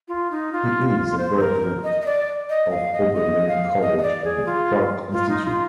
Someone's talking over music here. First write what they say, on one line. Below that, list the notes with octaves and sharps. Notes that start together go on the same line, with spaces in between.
He is a graduate of Oberlin College and Pratt Institute.
F4
D#4
F4
C5
A#4
D#5
D#5
D5
D#5
F5
D#5
D#5
F5
D#5
D#5
D5
G#4
F4
F4
D#4
F4